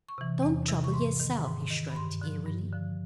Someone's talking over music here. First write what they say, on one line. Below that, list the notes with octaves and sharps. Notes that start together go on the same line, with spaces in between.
"Don't trouble yerself," he shrugged airily.
C#6
C3 E3
E2
C3 E3
C#6
G#2 C6
D#3
G#2
D#3
B5
G2 C6
D3 F3
G2
D3 F3